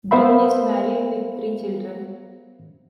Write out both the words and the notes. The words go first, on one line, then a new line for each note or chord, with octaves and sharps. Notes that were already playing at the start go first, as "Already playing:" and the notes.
Grimm is married, with three children.
B3 A#4 C5 E5 F5 B5